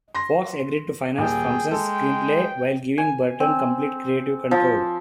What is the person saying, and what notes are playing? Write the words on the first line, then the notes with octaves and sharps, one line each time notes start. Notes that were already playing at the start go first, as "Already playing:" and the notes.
Fox agreed to finance Thompson's screenplay while giving Burton complete creative control.
C6 A#6
D#1 G#4 G5
G#3 A4
G#5
C4
F3